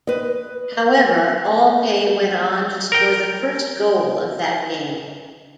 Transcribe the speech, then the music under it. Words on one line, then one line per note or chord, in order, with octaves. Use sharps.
However Alpay went on to score the first goal of that game.
B4 D#5
A#4 G5